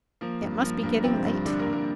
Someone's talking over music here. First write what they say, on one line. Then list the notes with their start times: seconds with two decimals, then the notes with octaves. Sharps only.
It must be getting late!
0.21 F3 A#3
0.42 G2
0.63 F3 A#3
0.83 G2 A#3
0.99 A#3
1.04 C3 F3 C4
1.25 G2
1.45 D3 F3 D4
1.59 A#3 A#4
1.66 G2
1.73 A#3 A#4